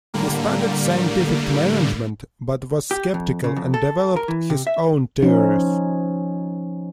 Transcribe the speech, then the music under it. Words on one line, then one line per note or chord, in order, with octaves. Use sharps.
He studied scientific management, but was sceptical and developed his own theories.
A2 D3 G3 A#3
G4
F2
C#3
F2
A4
A#4
E3
C3
E5
F3 C#4 D#4